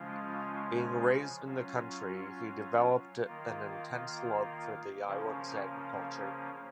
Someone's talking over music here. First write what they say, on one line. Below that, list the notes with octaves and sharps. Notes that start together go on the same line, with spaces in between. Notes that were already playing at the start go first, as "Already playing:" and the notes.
Being raised in the country, he developed an intense love for the island's agriculture.
Already playing: C#3 F3 G#3 C#4 F4
F#3 C#4 F4
D#3 A#3 F4
C#3 F3 A#3 C#4